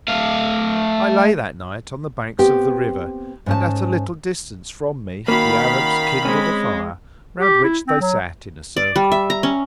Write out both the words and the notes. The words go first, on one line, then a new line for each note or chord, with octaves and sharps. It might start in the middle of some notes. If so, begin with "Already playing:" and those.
I lay that night on the banks of the river, and at a little distance from me the Arabs kindled a fire, round which they sat in a circle.
A3 F5
B3 C4 G4
G#2 C#4 A5
D#3 A#3 C#4 F#4 F5 B5
G#3 C4 C#4
G4
E4
C4
F#3
D5
G3
E5
A#5
C#4